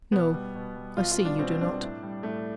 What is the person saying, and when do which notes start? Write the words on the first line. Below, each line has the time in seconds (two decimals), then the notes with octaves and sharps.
'No, I see you do not.
0.12 B2 B3
0.33 G3
0.55 B2
0.75 G3
0.97 B2 F4
1.11 F4
1.19 G3
1.25 D4
1.39 B2 C4
1.61 G3 D4
1.81 A2
2.03 G3
2.23 A2 A3